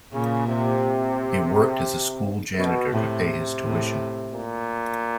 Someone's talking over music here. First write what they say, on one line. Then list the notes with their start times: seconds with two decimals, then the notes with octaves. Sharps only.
He worked as a school janitor to pay his tuition.
0.13 A#2 C#3
0.47 C3
2.58 B2
2.93 A2 C3
3.63 A2
4.34 A#2